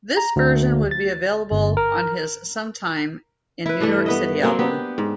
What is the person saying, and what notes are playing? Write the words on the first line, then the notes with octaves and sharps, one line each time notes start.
This version would be available on his "Some Time in New York City" album.
A#5
D2
A6
G1
A#4
E4 B4
G2 E3 A3 D4
B3 B4 D#5
F#3 A#3 C4 D4
B3 G4
G#2